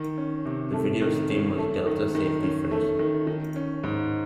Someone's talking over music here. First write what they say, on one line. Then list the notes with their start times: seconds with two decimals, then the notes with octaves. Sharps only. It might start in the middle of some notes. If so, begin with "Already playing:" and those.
The videos' theme was "Delta Safety First".
Already playing: D#3
0.18 C#4
0.45 C3
0.73 A3
1.02 D#3
1.30 C#4
1.58 A3
1.87 D#3
2.15 D#3
2.43 C#4
2.71 A3
2.99 D#3
3.27 D#3
3.56 C#4
3.84 G#2